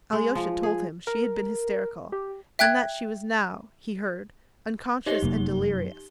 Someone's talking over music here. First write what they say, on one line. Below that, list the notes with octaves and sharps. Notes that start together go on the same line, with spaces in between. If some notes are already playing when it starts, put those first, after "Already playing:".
Alyosha told him she had been hysterical, and that she was now, he heard, unconscious and delirious.
G#3
F3
G#4
A#4
G4
E5 G5 F#6 G#6
D#4 G4 C5 C#5 D#5 G7
F1 F#2 C3 A#3